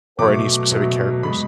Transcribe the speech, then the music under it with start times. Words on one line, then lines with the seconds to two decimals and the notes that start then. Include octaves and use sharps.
or any specific characters?
0.19 B2 F#3 A3 D6
0.71 B2 F#3 A3
1.23 B2 G#3 B5